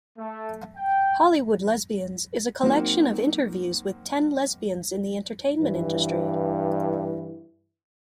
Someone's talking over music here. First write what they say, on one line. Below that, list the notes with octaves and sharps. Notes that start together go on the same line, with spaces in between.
"Hollywood Lesbians" is a collection of interviews with ten lesbians in the entertainment industry.
A3
G5
F#3 A#3 C4 D#4
G2 E3